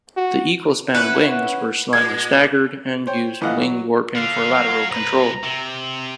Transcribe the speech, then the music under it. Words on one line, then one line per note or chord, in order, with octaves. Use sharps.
The equal-span wings were slightly staggered and used wing warping for lateral control.
F#4
C#4 E4 B4 F#5
A#2 G#3 G#6
C5 C#5 G5
A1 E3 F3 D#5 F5 F#5
F#3
D3 F5
F#3 F#4
C2 B4 A#5
C3